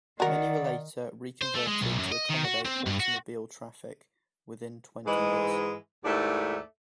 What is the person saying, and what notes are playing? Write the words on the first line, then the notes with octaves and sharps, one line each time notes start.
Many were later re-converted to accommodate automobile traffic within twenty years.
D#3 F#4 A#4 D5 F#5
C5
A3
G#3
B1
F#2
D#5
D#3
F#4
C4
G2
F#4
G#2 E3 G#3
D#2 G#2 A3 E4 D5